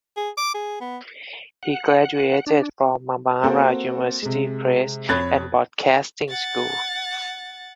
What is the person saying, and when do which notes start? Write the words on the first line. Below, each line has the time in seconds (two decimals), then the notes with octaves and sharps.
He graduated from Marmara University Press and Broadcasting School.
0.17 G#4
0.38 D6
0.54 G#4
0.81 B3
1.63 F#5
2.47 D4
3.43 A#3 C4 F#4 A4 C5
4.22 C3 G#3
5.09 F2 C#5 B5 F#6 G#6 A6
6.29 F#5 A6